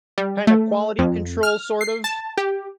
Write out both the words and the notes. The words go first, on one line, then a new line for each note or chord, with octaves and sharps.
kinda quality control, sort of?
G3
A3
F2
F6
C7
A5
G4